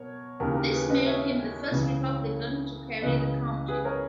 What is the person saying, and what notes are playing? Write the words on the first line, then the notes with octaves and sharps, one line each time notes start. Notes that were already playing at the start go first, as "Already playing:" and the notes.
This made him the first Republican to carry the county.
Already playing: B2 A#4 C#5
D#2 C#3 E3 G4 A#4
G4 A#4
G#4 B4
B4 D#5
C#5 E5
C#2 C#3 E3
C#2 C#3 E3 B4 D#5
G#4 B4
A#4 C#5